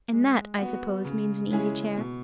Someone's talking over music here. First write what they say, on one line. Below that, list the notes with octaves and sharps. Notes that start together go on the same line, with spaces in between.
"And that, I suppose, means an easy-chair?"
G#3
B3 F#4
C#3
G#3 C#4 E4 G#4
B2